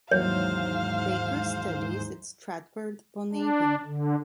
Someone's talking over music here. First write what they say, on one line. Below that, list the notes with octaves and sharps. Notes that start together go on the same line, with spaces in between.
Baker studies at Stratford-upon-Avon.
D#2 G#2 E3 F#3 C5 C#5 F5
D4
D3